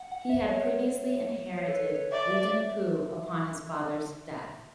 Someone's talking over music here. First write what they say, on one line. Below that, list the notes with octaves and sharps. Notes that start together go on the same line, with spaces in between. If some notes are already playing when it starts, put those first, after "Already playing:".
He had previously inherited Luton Hoo upon his father's death.
Already playing: F#5
F#5
E5
C#5
C#5
A4
B4
C#5
D5 E5
E5
E5